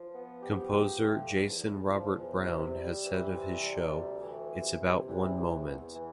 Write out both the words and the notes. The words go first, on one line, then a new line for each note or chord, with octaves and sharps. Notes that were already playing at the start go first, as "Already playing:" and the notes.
Composer Jason Robert Brown has said of his show, It's about one moment.
Already playing: F3
B3
G4
F3
A3
E2
E2
F3
E2
C3
G3
E3
C3
G3
D2
E3
C3
C3
E2
E2
E2
E3